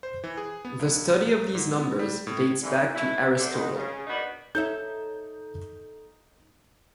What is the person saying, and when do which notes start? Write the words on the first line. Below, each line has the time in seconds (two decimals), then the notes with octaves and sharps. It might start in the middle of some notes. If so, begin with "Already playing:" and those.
The study of these numbers dates back to Aristotle.
0.03 C5
0.24 E3
0.37 G#4
0.65 B3
0.79 B1
1.30 A#4
1.55 G#2
1.78 B3
1.99 G3
2.27 A2
2.62 G#2 D3 E3
2.94 B2 E4
3.37 F#3 C4 D4 E4 A4 D5
3.51 D2 D#3 F#5
3.75 C#3
4.07 A#3 B3 D4 D#4 F#4 B4
4.55 D#4 A4 C#5 E5 G6